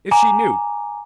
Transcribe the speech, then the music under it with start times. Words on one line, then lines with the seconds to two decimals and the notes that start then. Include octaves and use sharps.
If she knew!
0.11 G#5 A#5 D6